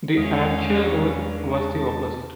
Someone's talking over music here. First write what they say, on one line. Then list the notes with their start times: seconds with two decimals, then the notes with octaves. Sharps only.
The "actual" goal was the opposite.
0.17 E2 G#3 C#4 F5 D#6
0.70 D4 G#4
1.51 A5